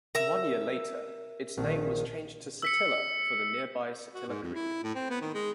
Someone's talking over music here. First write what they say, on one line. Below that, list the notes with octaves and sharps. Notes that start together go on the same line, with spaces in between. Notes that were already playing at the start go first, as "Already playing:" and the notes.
One year later, its name was changed to Satilla for the nearby Satilla Creek.
A#4 E5 A#5
A#1 D#3
E6 B6 C#7
F#4
G#2
F2
E4
A2
C4
B3
D#3
G#3